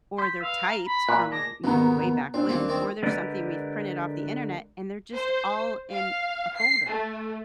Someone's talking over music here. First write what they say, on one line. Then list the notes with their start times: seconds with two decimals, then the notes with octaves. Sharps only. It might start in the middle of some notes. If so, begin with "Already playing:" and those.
or they're typed from, you know way back when, or they're something we've printed off the internet, and they're just all in a folder,
0.18 C6 G6 B6
0.41 B4 F5 E6
0.65 A#5
0.86 B5
1.09 A#2 E3 F5 F#6
1.32 G#3 A5 D6 A#6
1.64 G#1 D#2 B2 D#3 B3 A#5
2.34 A#2 C4 D4
2.49 D#2 G3 A#3 C4
2.69 D#3 C4
3.03 D3 G#3 G4 A#4 B4 D5
5.13 C5
5.90 F5
6.55 C7
6.87 A3